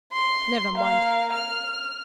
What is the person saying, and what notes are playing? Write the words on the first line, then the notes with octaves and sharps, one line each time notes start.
Never mind.
C6
A#3 F5
F6